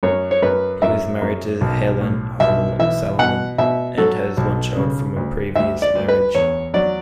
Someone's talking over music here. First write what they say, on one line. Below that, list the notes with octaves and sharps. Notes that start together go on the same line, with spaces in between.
He was married to Helen Hall-Salomon, and has one child from a previous marriage.
F#2 C#5
C#5
F#2 B4
F#2 E5
F#2
B1
A2
B1 E5
E3 E5
B2 F#5
B2 E5
F#3 A4
B1
C#3
D2
D2 E5
D5
D2
B4
E2 C#5
F#3 D5